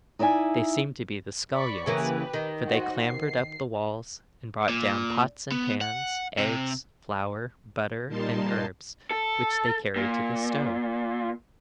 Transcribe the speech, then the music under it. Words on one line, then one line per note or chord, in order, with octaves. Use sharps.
They seemed to be the scullions, for they clambered up the walls and brought down pots and pans, eggs, flour, butter, and herbs, which they carried to the stove.
D#4 E4 D5 E5 G#5
D5 B5 C#6
C#3 E3 A#3 G4 B4
D#3
F#4 C5 D#5
C7
A#2
B3
F#5
C3
A#2 G3 A#3 D#4 A5 C6
A4
A#2